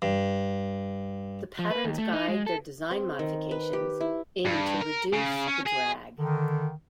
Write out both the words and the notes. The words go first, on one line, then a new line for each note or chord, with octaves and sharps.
The patterns guide their design modifications, aiming to reduce the drag.
G2
F3
B4
D#2
A3
D#4
G#3
A4
C4
D#3
B4
G4
E4
G2
A#4
C#3
C#4
G#4
D3 D#3